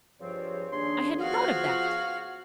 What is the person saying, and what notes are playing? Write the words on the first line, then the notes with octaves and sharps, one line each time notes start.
I hadn't thought of that.
G2 F3 C4 G#4 C#5
D#2 D4 G#4 C6
F3 B3 F4 F#4 F5 F6